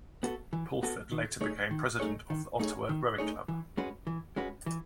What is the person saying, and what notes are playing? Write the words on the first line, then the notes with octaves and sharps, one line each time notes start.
Pulford later became president of the Ottawa Rowing Club.
B3 F#4 A4
E3
B3 F#4 A4
D#3
A3 D#4 G#4 C#5
D#3
A3 D#4 G#4 C#5
D#3
A3 D#4 G#4 C#5
D#3
A3 D#4 G#4 C#5
E3
G#3 C#4 F#4 B4
E3
G#3 C#4 F#4 B4
E3